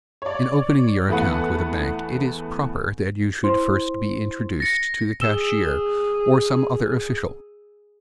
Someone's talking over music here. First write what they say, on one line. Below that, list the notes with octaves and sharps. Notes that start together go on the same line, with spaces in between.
In opening your account with a bank it is proper that you should first be introduced to the cashier, or some other official.
C#5 D5
E2 A3 B3 B4 F#5
E4 C5 C6
A6 A#6 C#7
G#4 E6 E7 G7